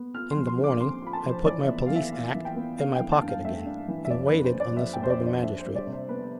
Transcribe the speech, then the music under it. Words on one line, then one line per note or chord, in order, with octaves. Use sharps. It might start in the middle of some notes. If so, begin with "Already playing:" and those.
In the morning I put my Police Act in my pocket again, and waited on the suburban Magistrate.
Already playing: B3
F4 F6
C6
F3
C6
D3
D6
C4 C6
F4 B5
A5
F3 C5
E3 D5
B3 E5
E3 F5
E5
F4 F5
E3
G5
B3
D4 F5
G5
E3
A5
G2
F5
A3 E5
D4
E3
E5
F2 D5
B4
D3
C5
F2
D5
F3 E5
G5
F2 C5
D5
D3
D5
D4 E5
C5
G3
D5
C3
C5
B3 B4